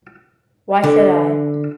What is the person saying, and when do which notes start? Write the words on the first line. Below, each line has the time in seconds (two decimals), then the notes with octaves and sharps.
Why should I?
0.84 D3